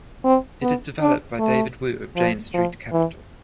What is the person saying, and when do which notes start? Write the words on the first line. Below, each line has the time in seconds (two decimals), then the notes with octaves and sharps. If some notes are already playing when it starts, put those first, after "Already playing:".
It is developed by David Wu of Jane Street Capital.
0.24 C4
0.62 B3
1.01 D4
1.39 A3
2.16 F3
2.54 F3
2.92 E3